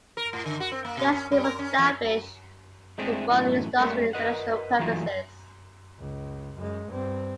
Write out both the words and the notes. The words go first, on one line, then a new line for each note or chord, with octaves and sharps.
The Estate was established for both Industrial and Residential purposes.
A#4
A2
D3
F#4
C4
A#3
B2
C#4
G3
A#4
C#4
E2
G#3 A3 C4 D4 E4 G#4
F#2 A2 E3 D#4
G3 A3 A#3 C#4 A#4
A#4 B4 D#5 F#5
E3 F#3 A3 A#3 F4 G#4
C#2
F#2 G#3
G2 C4